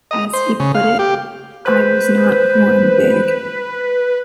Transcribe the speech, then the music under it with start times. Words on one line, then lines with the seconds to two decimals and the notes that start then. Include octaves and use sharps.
As he put it, "I was not born big".
0.11 D#5
0.33 C5
0.60 C#3
0.75 F5
0.99 G4
1.66 B4 C5